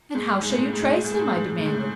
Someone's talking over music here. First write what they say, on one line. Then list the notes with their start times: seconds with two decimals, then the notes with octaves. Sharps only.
"And how shall you trace him?" I demanded.
0.15 G#2
0.42 G#2
0.50 A2
0.58 G#2
0.65 A2
0.73 G#2
0.81 A2
0.89 G#2
0.96 A2
1.04 G#2
1.11 A2
1.19 G#2
1.28 A2
1.35 G#2
1.42 A2
1.51 G#2
1.58 A2
1.65 G#2
1.74 A2